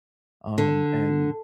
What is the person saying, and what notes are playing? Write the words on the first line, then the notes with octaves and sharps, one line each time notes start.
Um, and,
D3